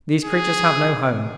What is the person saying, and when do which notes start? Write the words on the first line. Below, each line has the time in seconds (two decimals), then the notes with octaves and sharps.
These creatures have no home.
0.25 G#4